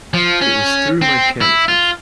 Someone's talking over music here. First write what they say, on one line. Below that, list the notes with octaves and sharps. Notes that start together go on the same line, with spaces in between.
It was through my carelessness.
F3
C#4
C4
E4
F4